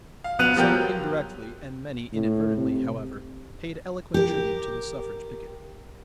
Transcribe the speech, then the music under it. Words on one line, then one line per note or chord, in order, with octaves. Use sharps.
Some indirectly and many, inadvertently, however, paid eloquent tribute to the suffrage picket.
F5
D1 B3 F#6 D#7 F7
F3 G3 B3 A#4 G5 G6
F#3
A2
C3
G4 A#4